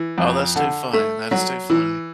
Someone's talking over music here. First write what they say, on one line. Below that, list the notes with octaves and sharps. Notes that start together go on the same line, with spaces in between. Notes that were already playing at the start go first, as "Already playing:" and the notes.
Oh, that's too funny, that is too funny.
Already playing: E3
F2
D3
A3
F#3
E3